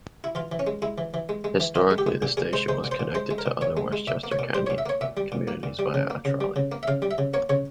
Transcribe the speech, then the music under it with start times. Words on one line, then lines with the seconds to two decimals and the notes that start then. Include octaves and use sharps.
Historically, the station was connected to other Westchester County communities via a trolley.
0.24 E4
0.35 E3 F4
0.52 E3
0.59 C#4
0.67 G#3
0.82 G#3 E4
0.98 E3
1.14 E3
1.29 G#3
1.44 G#3
1.60 E3
1.75 E3 F4
1.91 G#3
1.98 G4
2.07 G#3
2.22 A#2 G#4
2.37 A#2 G#4
2.53 G#3 C5
2.68 G#3 C5
2.84 A#2
2.91 C5
3.00 A#2
3.15 G#3 C5
3.31 G#3
3.38 A#4
3.46 A#2
3.61 A#2 C#5
3.77 G#3
3.93 G#3
4.07 A#2 E5
4.24 A#3
4.32 C#5
4.39 A#2
4.54 G3 C5
4.66 A#2 C#5
4.78 E5
4.86 A#3 C#5
5.01 A#2 E5
5.17 G3
5.32 A#2
5.48 A#3
5.63 A#2
5.79 G3
5.94 C#3
6.10 A#3
6.25 C#3
6.41 G3
6.56 C#3
6.72 A#3
6.83 E5
6.88 C#3 F5
7.02 G3
7.11 E5
7.18 C#3
7.34 A#3 C#5
7.49 C#3 C#5